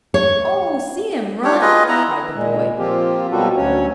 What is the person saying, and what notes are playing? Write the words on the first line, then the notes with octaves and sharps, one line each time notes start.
"Oh, see him run!" cried the boy.
C#5
D4 G4 C#5
F4 G#4 B4 D#5
B3 E4 A#5
A#2 G#3
F3 A#3 C4 F4 G4
B2 F#3 G3 F4 F#4 A4
D2 F#3 C#4 C#5